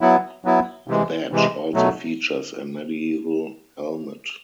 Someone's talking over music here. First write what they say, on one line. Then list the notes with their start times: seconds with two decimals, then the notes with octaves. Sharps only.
The badge also features a medieval helmet.
0.01 F#3 B3 E4
0.45 F#3 B3 E4
0.88 C3 E3 G#3
1.32 C3 E3 G#3
1.74 B2 F#3 A3